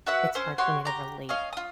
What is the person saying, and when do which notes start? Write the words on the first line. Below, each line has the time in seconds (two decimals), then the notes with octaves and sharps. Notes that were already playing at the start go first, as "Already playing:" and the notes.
It's hard for me to relate.
0.07 F#4 B4 E5 F#5
0.35 C#4 C5
0.58 F#4 G4 C#5 C6
0.85 G4 A#5
1.29 C#4 D#5 F5
1.53 F4 D#6